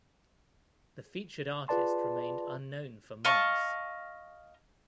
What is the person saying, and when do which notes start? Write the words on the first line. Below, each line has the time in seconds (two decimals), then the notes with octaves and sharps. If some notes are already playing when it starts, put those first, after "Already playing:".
The featured artist remained unknown for months.
1.68 F4 G#4 B4 D5 A5 C6
3.25 D#5 F5 A5 C#6